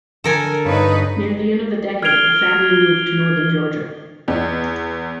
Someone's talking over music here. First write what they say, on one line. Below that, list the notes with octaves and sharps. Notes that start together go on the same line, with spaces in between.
Near the end of the decade, the family moved to northern Georgia.
D3 A4 A#4 G#5
G2 D#4 B4 C#5
F6 G#6 C7 D7 F7 G7
E2